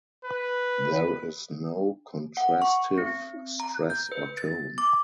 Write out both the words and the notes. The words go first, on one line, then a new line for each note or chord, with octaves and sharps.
There is no contrastive stress or tone.
B4
F#5
C#6
C4
A#5
G6
B4
A6
D6